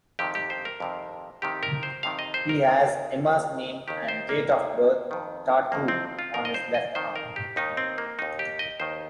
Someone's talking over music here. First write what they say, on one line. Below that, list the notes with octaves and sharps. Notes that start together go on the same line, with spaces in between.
He has Emma's name and date of birth tattooed on his left arm.
F2 C3 D#3 G4
G4
C5
A#4
F2 C3 D#3
F2 C3 D#3 G4
A#4
C5
F2 C3 D#3 F5
D#5
C5
A#4
D#2 D#3
D#2 D#3
D#2 D#3 G4
C5
A#3
D#2 D#3
F2 D#3
F2 D#3 A#3
C4
F4
F2 D#3 A#4
D#5
C5
D#5
F2 D#3 C5
A#4
G4
D#2 D#3 D#4
C4
A#3
D#2 D#3 D#4
G4
D#5
D#2 D#3 C5